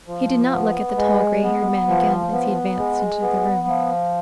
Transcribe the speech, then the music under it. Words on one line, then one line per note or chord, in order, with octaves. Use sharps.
He did not look at the tall, gray-haired man again as he advanced into the room.
F3
B3
G#3
B3
F3
B3
G#3
B3
F3